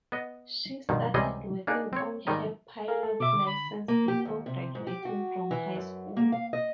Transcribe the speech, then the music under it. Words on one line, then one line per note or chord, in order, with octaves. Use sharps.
She started working on her pilot's license before graduating from high school.
B3 D#5
G2 B2 D#3 F3
C#2 C3 E3 G3 G#4 D#5
A#3 D4 D#4 G#4
C4 C#5
G#2 D#3 G3 D#5 A#5
G#4 A#4 F5
A4
B2 E5 D6
D3
B5
A#3
G4
D#2
C3
G#2
G4
F#4
E3
F#2
A#3
F5
D#5